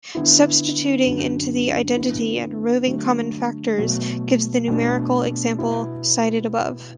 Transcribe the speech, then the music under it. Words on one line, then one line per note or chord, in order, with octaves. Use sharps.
Substituting into the identity and removing common factors gives the numerical example cited above.
D3 B3 E4
F#2 D3 F#3
D3 B3 E4
D3 F#3 A3
B2 F#3 A3
B2 A3 D4
B2 B3 E4